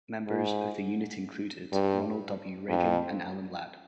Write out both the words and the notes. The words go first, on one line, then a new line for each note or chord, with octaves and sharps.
Members of the unit included Ronald W. Reagan and Alan Ladd.
G#2
G2
F2